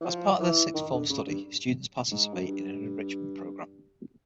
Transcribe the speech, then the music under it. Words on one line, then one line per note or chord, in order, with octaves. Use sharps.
As part of their Sixth Form study, students participate in an Enrichment Programme.
E3
F3
E3
D#3
D3
C#3
G2
G#2
F#2
G2